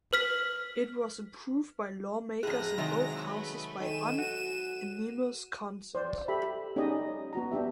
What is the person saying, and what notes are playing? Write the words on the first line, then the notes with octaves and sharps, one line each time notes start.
It was approved by lawmakers in both houses by unanimous consent.
B4 F6 B6
F2 A2 G#4 A#5 F#6 A#6
C3 D#3 F#3 G#3
A3 B4
D#3 A4 G#5 D#7 E7
F#4
C5 D5
G4 A4 E5 B5
C#4 D#4 G4 G#4 D5 D#5
B3 F#4 A#5
B3 D4 G4 E5